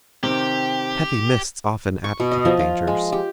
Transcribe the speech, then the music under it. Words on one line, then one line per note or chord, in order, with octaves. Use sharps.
Heavy mists often added to the dangers.
C3 D#3 C4 G4
C#6
B2
D#5
F3
F4
G#3
G4